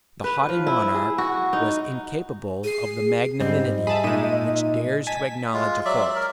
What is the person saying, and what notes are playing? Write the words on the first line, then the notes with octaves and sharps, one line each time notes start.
But the haughty monarch was incapable of the magnanimity which dares to acknowledge a fault.
B4
F3
E4
G#4
F#4
D#4
G#4 C7 D#7
G#2 G3 C4 D#5
G#4 E5 A5 B5
A#2 G#3 D#4 E5 D#7
G#5 A5 B6
G#3 F4
F#3 D5 E5
A#4